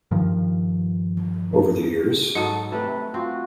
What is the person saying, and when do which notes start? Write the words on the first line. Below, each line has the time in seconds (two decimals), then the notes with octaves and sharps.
Over the years.
0.11 G2 D#3 F3
2.35 G#2 F#3 F#4 A4 D#5
2.72 C3 A3 A4 B4
3.14 C4 F4 F#4